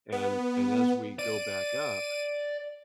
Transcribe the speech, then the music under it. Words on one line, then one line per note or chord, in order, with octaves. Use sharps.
and and as we go back up,
B3
D5 D#7